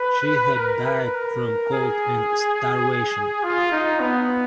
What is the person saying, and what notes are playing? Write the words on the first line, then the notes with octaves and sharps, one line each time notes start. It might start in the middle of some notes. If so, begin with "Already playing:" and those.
She had died from cold and starvation.
Already playing: B4
A#4
B4
A#4
G#4
F4
D#4
B3